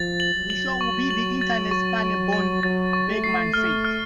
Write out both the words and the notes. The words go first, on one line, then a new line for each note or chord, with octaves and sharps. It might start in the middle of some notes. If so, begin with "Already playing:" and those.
"The show will be the Internet's funny bone," Bergman said.
Already playing: F3 A6
F#7
F#3
F#7
C#6
F#7
A6
C#6
F#7
A6
F#3 A6
C#6
A3
C7
A3 F6
F6